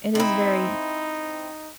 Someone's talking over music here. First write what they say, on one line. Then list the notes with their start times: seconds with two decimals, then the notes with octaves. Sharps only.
It is very
0.15 C4 D#4 E4